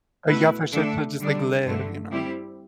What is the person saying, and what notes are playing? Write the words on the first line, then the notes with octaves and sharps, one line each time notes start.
Uh, yeah, for sure to just like live, you know.
B2 A3 E4 B4
D3 A3 D4 A4 E5
D3 G3 D4
G2 D3 A3
G3 C4 E4 G4